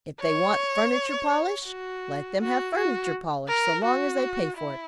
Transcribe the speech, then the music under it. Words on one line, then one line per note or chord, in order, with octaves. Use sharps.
'If they want furniture-polish, let them have furniture-polish, so long as they pay for it.
C#5
F#4
F#4
F#4
A#4
F#4
E4